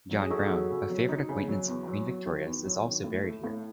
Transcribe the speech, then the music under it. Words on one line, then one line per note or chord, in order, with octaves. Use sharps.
John Brown, a favoured acquaintance of Queen Victoria's is also buried here.
F#3
G#4
D#4 F#4 A4
F#3
C#3
F#3
D#4
C#3
F#3
E2
F#3
F#3
D#3
E2
F#3
D#3
A2
A3
A2